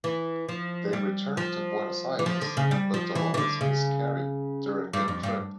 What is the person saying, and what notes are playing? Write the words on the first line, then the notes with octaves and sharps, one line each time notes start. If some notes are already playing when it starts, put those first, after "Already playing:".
They returned to Buenos Aires, but Dolores miscarried during the trip.
E3
F3
G3
F3
E3
F3
D3
C#3
G3
F3
E3
E3
D3
C#3
G2
F2
G2